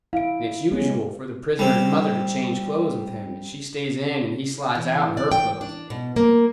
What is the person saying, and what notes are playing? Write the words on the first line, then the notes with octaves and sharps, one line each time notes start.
And it's usual for the prisoner's mother to change clothes with him, and she stays in, and he slides out in her clothes.
E4 F5 D7
G#3 B3 C#4
G3 C4
E3
D5
G5
D4
B2
A#3